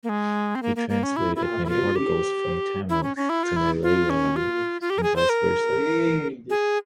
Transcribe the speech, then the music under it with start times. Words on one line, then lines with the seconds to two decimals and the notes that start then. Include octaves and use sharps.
He translated many articles from Tamil to Malayalam and vice versa.
0.04 A#3
0.09 G#3
0.55 C4
0.63 A#3
0.76 A#3
0.89 A#3
1.03 C#4
1.16 E4
1.36 E4
1.43 F4
1.65 E4
1.69 F4
1.96 G4
2.90 E4
3.03 C#4
3.16 C#4
3.29 E4
3.43 F4
3.56 E4
3.83 F4
4.10 C#4
4.36 F4
4.81 F4
4.90 G4
4.98 A#4
5.03 G#4
5.16 C5
5.29 A#4
6.50 G#4